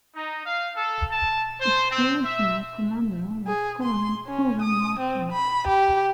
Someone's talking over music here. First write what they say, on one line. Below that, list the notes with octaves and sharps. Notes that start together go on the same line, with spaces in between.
Its original commander was Colonel Hugo Martinez.
D#4
F5
A4
A5
C5
C4
E5
G#4
C6
C#4
D#6
C4
B5
G4